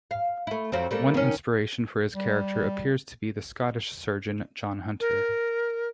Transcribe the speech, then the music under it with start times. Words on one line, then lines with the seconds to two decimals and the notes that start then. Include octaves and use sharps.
One inspiration for his character appears to be the Scottish surgeon John Hunter.
0.11 F5
0.47 A3 E4
0.72 F2 F#3 C4
0.91 G3 A3 A#3
1.14 D#3 C#4
2.15 G3
5.00 A#4